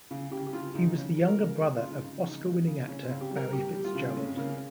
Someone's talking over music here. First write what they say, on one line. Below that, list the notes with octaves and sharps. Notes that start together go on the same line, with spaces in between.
He was the younger brother of Oscar-winning actor Barry Fitzgerald.
C#3
C#3 G4
G4
C#3 F4
C#3 D#4
C#3 C#4
G3
A#4
C#3 A#4
G#3 G#4
C#3 F4
D#4
C#3
C#3 D#4
G#3
C#3
C#3 C#4
C4
C#3
G4
G3
A#4
G3 G4
G3
F4
C#3
C4
G#3 C#4
C#3 A#3